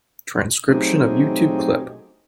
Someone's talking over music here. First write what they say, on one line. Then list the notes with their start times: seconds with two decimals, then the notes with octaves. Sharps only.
Transcription of YouTube clip.
0.69 F#3 A3 C4 D#4 G4 G#4